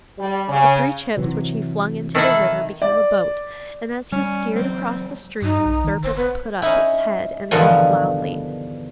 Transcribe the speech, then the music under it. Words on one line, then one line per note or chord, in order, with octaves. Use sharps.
The three chips which he flung into the river became a boat, and, as he steered across the stream, the serpent put up its head and hissed loudly.
G3
C#3
C3 E3 F#3
D#3 E4 A4
D5
G3 C#4
F#3 G#3 C4
G2 D#4
B1
D#3
F#1 C5
B3
C#4 D#4 E4
E2 G2 B2 D3 D#3 F3